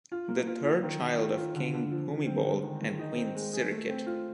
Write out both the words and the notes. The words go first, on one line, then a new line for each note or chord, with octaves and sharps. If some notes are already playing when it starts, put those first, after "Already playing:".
The third child of King Bhumibol and Queen Sirikit.
F4
A#3
F4
F4
D#3
D#3
F4
F4
D3
D3
F3
D3
C4
G#3
D#3
D#3
D#4
C4
G#3
G#4
A3
C4
F4